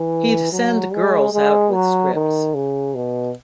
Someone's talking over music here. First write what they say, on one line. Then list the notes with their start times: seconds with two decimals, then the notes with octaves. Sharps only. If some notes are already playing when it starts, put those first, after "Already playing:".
He'd send girls out with scripts.
Already playing: E3
0.53 F#3
0.93 G#3
1.33 G#3
1.73 F#3
2.14 D#3
2.54 C#3
2.95 B2